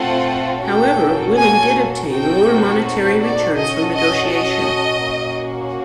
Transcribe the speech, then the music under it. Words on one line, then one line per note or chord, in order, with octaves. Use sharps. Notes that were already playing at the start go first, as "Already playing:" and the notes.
However, women did obtain lower monetary returns from negotiation.
Already playing: A3 C4 F4 A4 F#5
A#3 C#4 F#4 A4 G5
G#5
C4 D#4 F#4 A4 G5
C#5
D5
C#4 F#4 A4 D#5
D#5
D#5
A#3 C#4 F#4